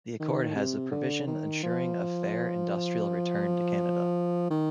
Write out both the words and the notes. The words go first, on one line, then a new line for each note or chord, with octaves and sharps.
The accord has a provision ensuring a fair industrial return to Canada.
D#3
C3
D3
D#3
F3
D#3